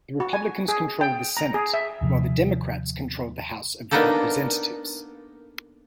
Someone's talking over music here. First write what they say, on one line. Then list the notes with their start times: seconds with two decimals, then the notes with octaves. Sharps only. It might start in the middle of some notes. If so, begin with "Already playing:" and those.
The Republicans controlled the Senate, while the Democrats controlled the House of Representatives.
0.20 F#4
0.33 G#5
0.68 G#4
1.01 G5
1.37 A#5
1.54 G#4
1.74 E5
2.01 D#2 C3 F3
3.91 A#3 B3 D4 D#4 G4 A4